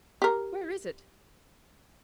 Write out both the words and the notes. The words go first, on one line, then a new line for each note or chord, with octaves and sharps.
"Where is it?"
G4 A#4